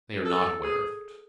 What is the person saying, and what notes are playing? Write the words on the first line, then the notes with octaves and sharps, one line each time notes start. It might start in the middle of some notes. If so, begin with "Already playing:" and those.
"They are not aware of it."
A4
G#4